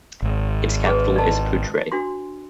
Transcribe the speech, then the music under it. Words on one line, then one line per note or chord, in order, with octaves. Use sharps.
Its capital is Putre.
G#1
G#4 B4
D5 D#5 A5
D4 F#4 C6